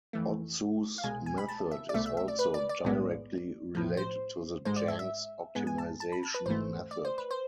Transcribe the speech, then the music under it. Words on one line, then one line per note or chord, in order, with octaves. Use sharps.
Otsu's method is also directly related to the Jenks optimization method.
F2 E3 A3
F5
C2 B2 G#3 G#5
G#5
B5
A5
E5
D5
C2 B2 A3 E5
E5
E5
D5
B4
D5
D5
B1 A2 G#3 B3
B1 A2 F3
C5
A1 G#2 G#3 C5
D5
E5
E5
G#2 G#3 B3 G#5
G#5
A5
A5
B5
A5
B4
G#1 G#2 E3 A3 C5
D5
C5
B4
C5